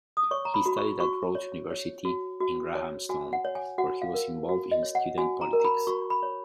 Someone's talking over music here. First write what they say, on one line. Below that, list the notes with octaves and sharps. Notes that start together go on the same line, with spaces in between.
He studied at Rhodes University in Grahamstown, where he was involved in student politics.
D#6
C#5 C#6
A#5
B5
F#4
C#6
F#4 C#6
C#5
C#5
F#4
F#4
C#5
F#4 G#5
F#5
C#5
G#5
F#4 F#5
F5
A#4
F#4
D#5
C#5
F#5
F#4 G#5
A#5
A#4
A#5
B5
F#4 C#6
B5
C#5